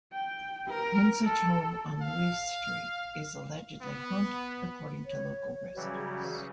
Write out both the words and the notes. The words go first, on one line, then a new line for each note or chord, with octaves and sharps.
One such home, on Louis Street, is allegedly "haunted," according to local residents.
G5
A#4
A4
F5
B3
C#5
C#3 E3 F#3 G3 F#4